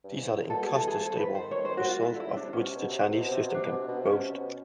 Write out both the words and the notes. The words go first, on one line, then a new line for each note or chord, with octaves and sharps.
These are the incontestable results of which the Chinese system can boast.
G2
G#2
A2
A#2
B2 A4
G#4
E3 A4
G#4
F3 A4
B4
D#3
C5
C#5
C5
F#4
F4
D3 E4
D3 E4
C#3
C3 D4
B2 C#4
C3
B2
C3
B2
C3
B2
C3
B2
C3 D4
B2
C3
B2
C3
B2 C#4
C3
B2